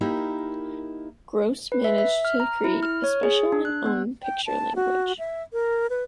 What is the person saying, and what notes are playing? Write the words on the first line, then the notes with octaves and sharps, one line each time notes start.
Gross managed to create a special and own picture language.
A#3 D#4 E4 G4 A#4
B4
E5
E5
F6
A#5
E4
F6
C#5
G#4
D4
F#6
B3
G5
A5
F#4
E5
A#4
B4